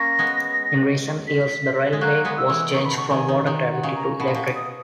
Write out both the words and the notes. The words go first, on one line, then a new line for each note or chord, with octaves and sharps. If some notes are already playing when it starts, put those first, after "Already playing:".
In recent years the railway was changed from water gravity to electric.
Already playing: A#3 C#4 A#6
G#3 B3
B6
G#3
F#3 A#3 F#6
G#3 B3
E6
E3
D#3 C#6
B5
B2 C#6
D#3 G#5
D#3
D#3
F#5
C#3
A#5
B2 B5
A#2
B2 C#6
D#6